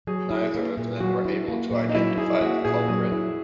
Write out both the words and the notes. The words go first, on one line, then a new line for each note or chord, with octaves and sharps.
Neither of them were able to identify the culprit.
F#3 G#4
E4
A#3
A#2
F#3 F#4
E4
A#3
A#2
D#4
F#3 E4
E4 G#4
A#3 F#4
A#2 G#4
F#3 G#4
E4